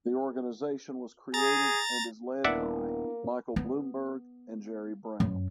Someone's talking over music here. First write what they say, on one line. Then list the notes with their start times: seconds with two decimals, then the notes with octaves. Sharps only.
The organization was created and is led by Michael Bloomberg and Jerry Brown.
1.34 G#4 A#5 A6
2.44 D#1 A#3 B3 D4 E4 D5 E5 F#5
3.56 B3
5.20 F#2